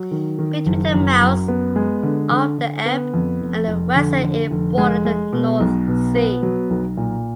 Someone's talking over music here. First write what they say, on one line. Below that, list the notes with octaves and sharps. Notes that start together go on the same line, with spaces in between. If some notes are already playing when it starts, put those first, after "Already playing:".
Between the mouths of the Elbe and the Weser it bordered the North Sea.
Already playing: F#3
D#3
D#3
F#1
F#2
F#2
B3
G#3
D3
D3
D3
B3
F2
F1
F1
D3
D3
F1
G#3
G#3
B2
B1
B2
B3
F#3
B1
A#2